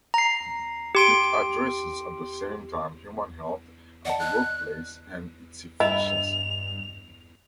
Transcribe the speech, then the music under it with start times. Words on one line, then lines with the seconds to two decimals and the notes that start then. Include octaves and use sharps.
It addresses at the same time human health at the workplace and its efficiency.
0.14 A#5 C7
0.95 G4 C6 D7
4.05 D5 D#5 F#5 A5
4.19 F#6
5.80 G2 E4 D#5 F7